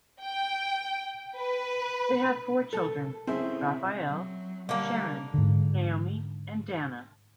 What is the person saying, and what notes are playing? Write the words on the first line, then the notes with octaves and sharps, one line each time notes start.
They have four children: Rafael, Sharon, Naomi and Danna.
G5
B4
A4
C#3 C4 E4 G#4
F#3
D3 G3 A#3
G#2 D3